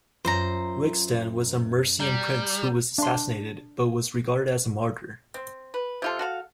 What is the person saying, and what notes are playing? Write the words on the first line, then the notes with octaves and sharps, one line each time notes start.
Wigstan was a Mercian prince who was assassinated, but was regarded as a Martyr.
F#2 F4 C5 A#5
G3 A#5 G6
D4 C6
C4
B4
C3 F4 A4
F#4 A4 F5